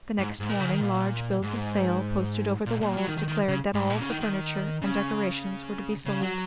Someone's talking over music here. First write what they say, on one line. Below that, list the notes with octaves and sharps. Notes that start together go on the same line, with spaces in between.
The next morning large bills of sale, posted over the walls, declared that all the furniture and decorations-were to be sold.
G#2
G#2
A#2
C#3
D#3
A#2
G#2
A#2
A#2
F#3
D#3
D#3
D#3
C#3
G#2
A#2
C#3
D#3
D#3
C#3
C#3
F#3